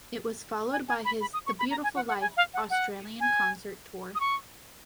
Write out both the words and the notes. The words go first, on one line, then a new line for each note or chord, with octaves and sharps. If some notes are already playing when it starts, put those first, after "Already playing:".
It was followed by his "The Beautiful Life" Australian concert tour.
G#5
G#5
B5
B5
D#6
C#6
B5
A#5
G#5
F#5
F#5
G#5
F5
F#5
F#5
G#5
D#6
C#6